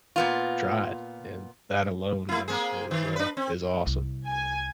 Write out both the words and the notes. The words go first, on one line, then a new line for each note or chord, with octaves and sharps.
tried, and that alone, man, is, uh, is awesome.
A#2 B3 F4
A3 E4
A#3 C4 G#4
D#3
D4 B4
C4
C2
G#5